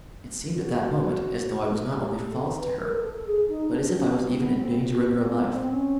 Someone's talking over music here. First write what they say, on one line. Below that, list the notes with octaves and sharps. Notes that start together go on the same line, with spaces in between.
It seemed at that moment as though I was not only false to her, but as if I was even endangering her life.
F4
F#4
G4
A4
B4
A#4
A#4
A4
G#4
D#4
D4
C#4
C4
B3
C4
C4
B3
C4
C#4